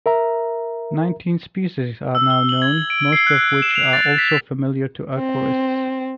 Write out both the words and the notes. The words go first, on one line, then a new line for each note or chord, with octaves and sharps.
Nineteen species are now known, most of which are also familiar to aquarists.
A#4 E5 A#5
E6
G7
F#7
G#6
D7
C7
F#6
E7
F7
A6
B6
C4